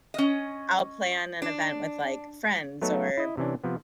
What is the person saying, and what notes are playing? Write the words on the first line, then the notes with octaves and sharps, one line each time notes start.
I'll plan an event with, like, friends or
C#4 D#5
D4
F#3 A3 B3 D#4 A4 C#5
E4 D#5
C3 E3 C#4 D4
C3 F3 B3